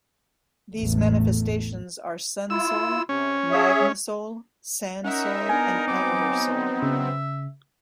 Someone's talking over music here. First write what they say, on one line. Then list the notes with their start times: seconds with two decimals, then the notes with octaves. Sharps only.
These manifestations are Sunsoul, Magmasoul, Sandsoul, and Embersoul.
0.75 A1 E2 A3
2.50 E4 F4 E6
3.09 C3 C#4
3.51 G#4 C#5 E5
5.04 C#4 D#4 A#4 E5 F#5
5.49 B3 D4 A#4 G#5
5.88 F#3 B3 C4 D6
6.82 C#3 E5